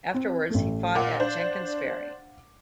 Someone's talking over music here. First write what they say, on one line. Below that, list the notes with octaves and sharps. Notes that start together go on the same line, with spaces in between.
Afterwards he fought at Jenkin's Ferry.
C4
A1 A3
A#2 F5 F#5 D6
D4 C5